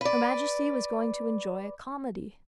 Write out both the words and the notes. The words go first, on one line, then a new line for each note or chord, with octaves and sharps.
Her Majesty was going to enjoy a comedy.
B4 D5